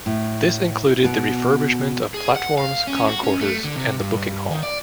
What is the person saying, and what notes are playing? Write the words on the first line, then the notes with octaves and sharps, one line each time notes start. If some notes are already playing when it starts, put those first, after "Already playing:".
This included the refurbishment of platforms, concourses and the booking hall.
A2
B2
G#4
F#5
F5
C#4
F#4
C#4
A3
D3
C3
G2
D#3
D5